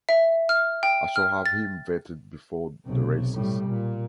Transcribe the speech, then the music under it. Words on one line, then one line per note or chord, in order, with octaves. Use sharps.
I shall have him vetted before the races.
E5
F6
G5
F6
A6
B1 C3
A2 G3
A#2